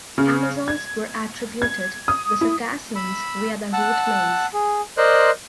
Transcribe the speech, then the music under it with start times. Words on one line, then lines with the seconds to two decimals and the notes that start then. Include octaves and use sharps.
The Amazons were attributed to the Circassians via the root "maze".
0.18 C#3
0.68 G#6
1.62 G#6
2.08 D#6
2.41 E4
2.96 B5 E6
3.73 F#5 A5 E6 F#6
4.53 G#4
4.98 A#4 C5 D5 D#5 C6 F#6